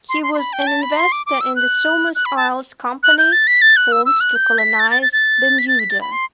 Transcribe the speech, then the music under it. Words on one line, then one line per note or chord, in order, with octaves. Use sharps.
He was an investor in the Somers Isles Company formed to colonise Bermuda.
C6
C6
C6
B5
G5
A5
B5
C6
D6
D6
E6
F#6
F#6
B5
A5
F#6
G6
A6
B6
A6
F#6
E6
E6
F#6
G6
B6
A6
A6
A6
A6
B6
A6
B6
A6
B5
C6